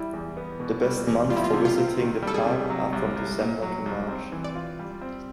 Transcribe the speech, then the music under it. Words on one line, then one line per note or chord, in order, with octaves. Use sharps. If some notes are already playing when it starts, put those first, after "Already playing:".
The best months for visiting the park are from December to March.
Already playing: G3 E4
E2
B3
B2
G3
E2
G3 F4
E4
F4
C3
F4
C4
D#3
G3
A4
G#4
C3
F#3
C2
C2
A#2
F#3
C2
C4
E3
D5
F4
G3
C4